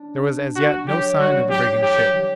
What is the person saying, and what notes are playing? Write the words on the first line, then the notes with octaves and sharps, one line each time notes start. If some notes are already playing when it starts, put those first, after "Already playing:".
There was as yet no sign of the brigand ship.
Already playing: D4
F#4
F#3 G4
G3 F#4
G3
F#3 G4
G4
E3